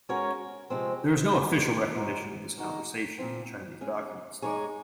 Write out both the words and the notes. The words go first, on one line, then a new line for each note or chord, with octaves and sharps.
There is no official recognition of this conversation in Chinese documents, though.
G#3 C#4 F#4 A#4 C#5
C3 F3 G#3 C4
D#3 F#3 C#4
G#3 D#4 F#4 C5
D#3 G#3 D#4 F#4
A#2 F3 C4
G#3 C#4 G#4
G#3 D#4 G#4 C#5